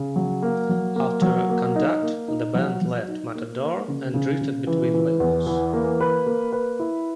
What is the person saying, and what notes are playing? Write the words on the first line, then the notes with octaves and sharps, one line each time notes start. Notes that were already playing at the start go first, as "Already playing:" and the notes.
After "Conduct", the band left Matador and drifted between labels.
Already playing: C#3
F#3
A#3
F#3
A#3
F#3
A#3
D#4
A#3
D#4
F#3
F#3
D#4
A#3
A#3
C#3
C#3
C#3
E3
E3
E2
E3
A#3
B4
A#3
B4
E4